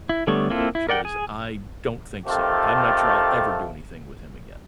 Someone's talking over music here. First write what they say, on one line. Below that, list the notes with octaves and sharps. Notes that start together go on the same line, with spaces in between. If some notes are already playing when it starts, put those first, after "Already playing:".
she goes, "I don't think so, I'm not sure I'll ever do anything with him again."
E4
D3 G3 A3 B3 C#5
A#3 C4 E4 F4 A4
E4
A#4 D5 F#5 G5
G#4 G#5
D#3 A3 C4 F4 G4 A4